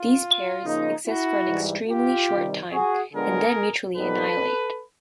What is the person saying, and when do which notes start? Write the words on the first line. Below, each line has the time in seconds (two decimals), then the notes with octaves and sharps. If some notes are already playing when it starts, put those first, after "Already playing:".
These pairs exist for an extremely short time, and then mutually annihilate.
Already playing: F4
0.64 C#3 F3 A#3 D#4
1.05 E4 F#4
1.46 G#2 E3 G3
1.88 F4 G4
2.29 C3 D#3 G3
2.71 F#4 G#4
3.12 D3 F3 G#3 B3 D4 G#4 A#4
3.96 A#2 G3 B3 D#4 A4 B4